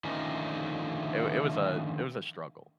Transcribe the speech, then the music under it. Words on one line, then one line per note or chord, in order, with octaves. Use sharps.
it it was a it was a struggle.
D3 D#3 F3 A3 C#4 A#4